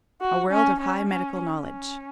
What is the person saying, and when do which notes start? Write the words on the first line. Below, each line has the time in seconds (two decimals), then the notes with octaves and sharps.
A World of High Medical Knowledge.
0.21 F#4
0.51 C#4
0.80 C#4
1.09 C#4
1.52 C#4